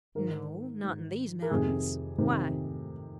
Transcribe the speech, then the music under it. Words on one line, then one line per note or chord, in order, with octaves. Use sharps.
"No--not in THESE mountains--why?"
G#2 D#3 A#4
G#2 D#3
A#4
F2 C3 D#3 G#4
C3 D#3